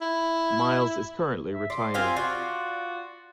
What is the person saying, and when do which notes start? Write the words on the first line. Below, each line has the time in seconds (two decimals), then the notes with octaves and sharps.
Miles is currently retired.
0.01 E4
1.54 E5
1.70 D5 C6
1.94 C4 F4 G4 G#5
2.17 F4 F#4 D5